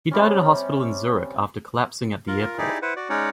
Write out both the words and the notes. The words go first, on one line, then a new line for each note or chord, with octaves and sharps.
He died at a hospital in Zurich after collapsing at the airport.
C3 G3 C#4
F4 A#4
D#4 E4 G4 G#4 D5
E4 B4 C5 F#5
F#4 D5
G#3 C#4 D#4 C#5 D5 F#5